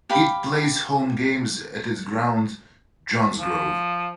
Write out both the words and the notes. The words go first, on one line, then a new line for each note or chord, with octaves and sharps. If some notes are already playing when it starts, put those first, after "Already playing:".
It plays home games at its grounds "Johnsgrove".
G4 F5 G5 B5
F3